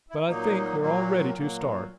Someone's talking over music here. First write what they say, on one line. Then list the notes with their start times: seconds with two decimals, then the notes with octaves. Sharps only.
But I think we're all ready to start.
0.09 E4
0.27 A#2 F#3 A#3 D#4
0.80 A#2 F#3 A#3
1.33 A#2 F#3 A#3